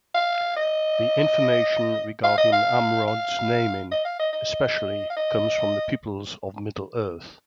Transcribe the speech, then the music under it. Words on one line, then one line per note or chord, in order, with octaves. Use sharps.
The information regarding Amrod's naming, especially, comes from "The Peoples of Middle-earth".
F5
D#5
F5
D#5
F5
F5
D#5
F5
D#5
D#5
F5
D#5